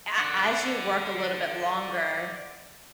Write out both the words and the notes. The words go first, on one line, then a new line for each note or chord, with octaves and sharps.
a as you work a little bit longer,
D5 F#5